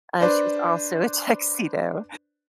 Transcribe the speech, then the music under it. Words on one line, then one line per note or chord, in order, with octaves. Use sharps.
uh, she was also a tuxedo.
D4 B4 C5 D5